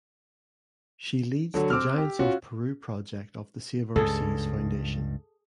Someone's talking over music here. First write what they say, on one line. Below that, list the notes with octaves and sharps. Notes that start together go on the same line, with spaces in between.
She leads the "Giants of Peru" project of the Save Our Seas Foundation.
D3 F#3 F#4
C4 D6 E6 F6
G4
C#4 F4 F#4
C#2 G2 G#4 A4